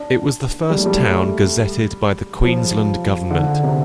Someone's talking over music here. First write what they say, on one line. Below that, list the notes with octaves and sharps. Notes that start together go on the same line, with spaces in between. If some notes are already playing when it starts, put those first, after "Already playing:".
It was the first town gazetted by the Queensland Government.
Already playing: D4
G3
A3
G3
F3
D3
C3